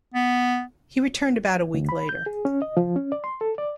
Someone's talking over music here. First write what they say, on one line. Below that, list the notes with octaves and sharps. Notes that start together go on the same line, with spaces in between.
He returned about a week later.
B3
D2
B5
G6
G#4
C#4
D#5
F3
C#4
D5
C6
A4
D5